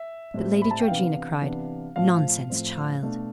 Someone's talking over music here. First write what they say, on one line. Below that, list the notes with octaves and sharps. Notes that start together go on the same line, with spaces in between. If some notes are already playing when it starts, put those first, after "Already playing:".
But Lady Georgina cried, 'Nonsense, child!
Already playing: E5
A2 G3 C4
B5
A5
G5
C3 E3 B3 D4 F5
C3 E3 B3 D4
A2 F3 C4 F5
A2 F3 C4
B2 A3 D4